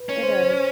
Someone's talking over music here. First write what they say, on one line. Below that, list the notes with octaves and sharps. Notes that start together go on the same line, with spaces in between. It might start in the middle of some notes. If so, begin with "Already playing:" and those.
It is.
Already playing: B4
C#4
C5